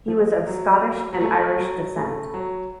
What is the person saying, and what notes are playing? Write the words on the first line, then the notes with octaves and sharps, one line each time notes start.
He was of Scottish and Irish descent.
F3
F#3
F#3
A3
F#3
A3
F#3